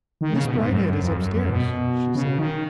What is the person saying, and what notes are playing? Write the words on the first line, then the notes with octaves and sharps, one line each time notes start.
"Miss Bridehead is up-stairs," she said.
D#3
C#3
B2
G#2
F#2
F#2
F2
F#2
F#2
B2
C#3
D#3